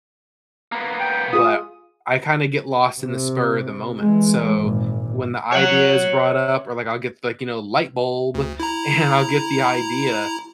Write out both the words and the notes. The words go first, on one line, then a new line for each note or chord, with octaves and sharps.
But I kinda get lost in the spur of the moment. So, when the idea is brought up, or like I'll get like, you know, light bulb, and I'll get the idea,
A#3 B3
G5
F4 G#4 D#6
C3
E3 G#3
G#1 A#2
C#5 F#5
D2
E4 A#5